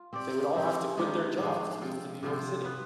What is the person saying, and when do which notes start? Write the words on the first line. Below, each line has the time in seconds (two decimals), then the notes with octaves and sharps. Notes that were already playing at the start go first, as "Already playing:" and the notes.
They would all have to quit their jobs and move to New York City.
Already playing: F4
0.13 C4 G4 D5
0.55 F3 C4 G4
0.97 D#3 G#3 D4 G4
1.38 F3 G#3 D4 G#4
1.81 F3 C4 F4
2.23 C3 F3 C4 F4
2.64 B3 F4 B4